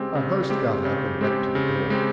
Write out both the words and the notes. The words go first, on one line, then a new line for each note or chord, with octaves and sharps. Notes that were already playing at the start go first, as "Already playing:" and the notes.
Our host got up and went to the door.
Already playing: C#3 G#3 C4 G4
C#3
G#3 C4 G4
C#3
G#3 C4 G4
C#3
G#3 C4 G4